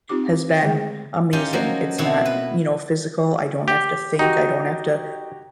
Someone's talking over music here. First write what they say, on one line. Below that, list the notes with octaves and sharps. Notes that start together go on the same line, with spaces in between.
has been amazing. It's not, you know, physical, I don't have to think, I don't have to
C4 D#4 F4 G4 D6
D3 G#3 A3 G#4 G5
C#4 D#4 F4 G4
F3 F#3 A#3
B2 C4 E4 F#4
B4
G4
D#4 F#4 G4